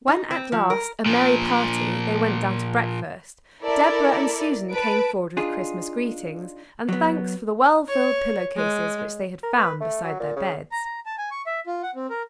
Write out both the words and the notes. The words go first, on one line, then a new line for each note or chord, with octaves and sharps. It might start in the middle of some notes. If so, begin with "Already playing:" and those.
When at last, a merry party, they went down to breakfast, Deborah and Susan came forward with Christmas greetings, and thanks for the well-filled pillow-cases which they had found beside their beds.
D#4
C4
F3
A#4
A#2 F3
E4 A4 A#4 D5
B4 A5 D7
D4 D#4 F4 G#4
F#3 B3
C#5
G#3
A#4
B4
A3
F#3
A#2
C#3
A#5
A#5
A5
G#5
C#6
E5
F4
F#5
C4
A#4